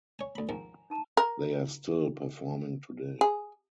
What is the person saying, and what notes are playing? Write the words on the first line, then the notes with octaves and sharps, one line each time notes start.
They are still performing today.
C#5 G#5
D2 B5
G#2 D#3 F3 G#5 A#5
D#4 A5 A#5
A#4
G#4